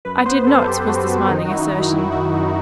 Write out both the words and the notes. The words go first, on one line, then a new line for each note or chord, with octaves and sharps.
"I did not," was the smiling assertion.
F#2 B4
B4
B3 C5
F#2 A4
A4
F#2 G4
F#2 F#4
F#2
D#3 D#4
F#4
D#3 E4
D#3 D#4
D#3 E4
F#2 F#4
F#2 D#4